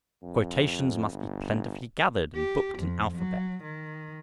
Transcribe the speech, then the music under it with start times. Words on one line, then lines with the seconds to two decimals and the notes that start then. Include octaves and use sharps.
Quotations must be plentifully gathered and booked in alphabet.
0.23 F2
1.12 G1
2.35 G4
2.78 F2
3.16 F#3
3.63 D#3